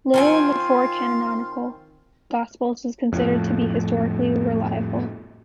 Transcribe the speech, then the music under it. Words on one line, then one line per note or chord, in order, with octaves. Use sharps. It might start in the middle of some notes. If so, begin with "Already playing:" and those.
Little in the four canonical gospels is considered to be historically reliable.
D#3 C4 F4 G#5
F2 A2